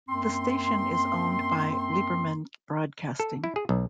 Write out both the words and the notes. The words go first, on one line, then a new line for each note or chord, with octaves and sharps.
The station is owned by Liberman Broadcasting.
F#2 A#3 C4 C6
A4
E4
G#4
B1